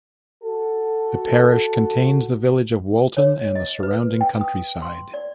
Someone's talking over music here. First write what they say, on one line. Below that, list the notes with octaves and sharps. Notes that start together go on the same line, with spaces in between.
The parish contains the village of Walton and the surrounding countryside.
F#4 A4
C#5
D#5
B4
G5
D#6
C6
D5